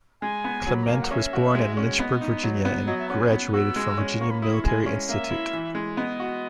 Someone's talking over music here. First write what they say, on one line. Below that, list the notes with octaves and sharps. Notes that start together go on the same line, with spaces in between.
Clement was born in Lynchburg, Virginia, and graduated from Virginia Military Institute.
G#3 G#5
B3
F#3
B5
A#5
A#3 G#5
F#5
C#4 E5
F#4
G#3
C#4
B3 D#5
D#4
F#3
B3
F#3 D#5
E5
C#4 F#5
G#5
B3 F#6
F#6
F#4 E6
G#3
C#4
A#3 C#6
B5
E4 D#6
C#6
G#3 G#5
C#4
A#3 E5
E4
E3
G#3
B3 D#5
F#4